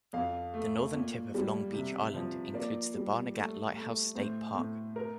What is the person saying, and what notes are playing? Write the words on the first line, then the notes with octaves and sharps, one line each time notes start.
The northern tip of Long Beach Island includes the Barnegat Lighthouse State Park.
F2 F5
A3
A#2
G3
C3
F3
A#3 D5
G3
A3
A3
A2 C5
A2
A#4